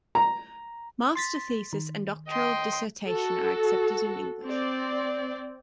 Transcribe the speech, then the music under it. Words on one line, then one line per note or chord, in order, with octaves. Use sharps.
Master thesis and doctoral dissertation are accepted in English.
A#5
C6 A6 B6
D#3
D#5 G5 C6
F#4 A4
C4 D5